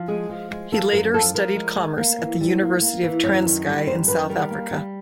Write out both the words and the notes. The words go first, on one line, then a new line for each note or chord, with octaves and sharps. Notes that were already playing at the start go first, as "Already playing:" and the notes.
He later studied commerce at the University of Transkei in South Africa.
Already playing: F3
G#3 G#4
F3
G#3
F3 A4
F#2 A#4
F3 A4
F3 A#4
G#3
G#3
A#3
E3
G3
A#3
A#3
E3
F#2 C#5
D#3
G3
F#2 C5
D#3 B4
G3 A#4
A#3
G3